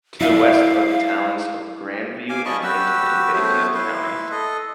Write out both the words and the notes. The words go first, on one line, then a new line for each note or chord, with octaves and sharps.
To the west are the towns of Grandview and Lincoln in Bayfield County.
E4 D5 F5
F5 G#5 D6
D#5 A5 B5 C#6
F#4 G4 B4 E6
A3 B3 C5 C#5
E4 B4 C6
A4 D#5